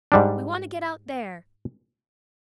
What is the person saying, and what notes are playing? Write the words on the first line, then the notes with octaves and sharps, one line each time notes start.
We want to get out there.
G#2 G3 D4